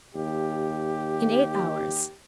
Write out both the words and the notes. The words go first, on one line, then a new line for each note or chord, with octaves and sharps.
"In eight hours."
D#2 G4